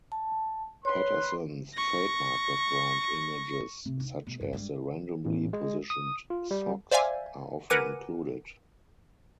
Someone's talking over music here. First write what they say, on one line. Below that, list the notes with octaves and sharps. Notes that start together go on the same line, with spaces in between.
Paterson's trademark background images, such as the randomly positioned socks, are often included.
A5
B4 C#5 C6
C#6 A#6
C3
D2 D#4
B2 A3
A1 G2
G2 G#3
A1
G#3
D#6
F4
G3
C5 D5 E5 F5 G#5
A#4 B4 F#5 G#5 D6 D#7